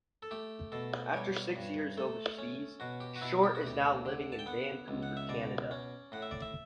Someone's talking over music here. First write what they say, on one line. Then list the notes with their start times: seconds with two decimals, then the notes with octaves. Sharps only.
After six years overseas, Short is now living in Vancouver, Canada.
0.23 A4
0.31 A3 G4
0.72 B2 A4
1.14 G3 C#5
1.56 G2
1.97 A3 A4
2.38 C#4
2.80 B2 F#4
3.00 G4
3.16 F#4
3.21 B2 E4
3.43 G4
3.55 F#4
3.63 D2 G4
4.05 D3
4.32 A5
4.39 G5
4.46 B3 F#5
4.88 C#2
5.03 F#5
5.17 E5
5.29 B2 D5
5.71 C#4
6.12 A2 F#5
6.22 E5
6.31 D5
6.42 E5